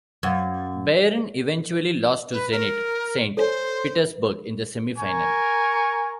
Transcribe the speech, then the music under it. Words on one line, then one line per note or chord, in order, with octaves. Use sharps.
Bayern eventually lost to Zenit Saint Petersburg in the semi-final.
F#2 F5 F#5 G#6
B4
A#4
A4 C5 C#5 G#5
A#4 G#5 C#6